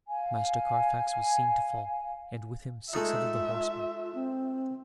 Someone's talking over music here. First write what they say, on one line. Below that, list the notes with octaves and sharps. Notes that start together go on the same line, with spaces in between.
Master Carfax was seen to fall, and with him six of the horsemen.
F5 G#5
G#3 A3 D#4 F4 E5
C4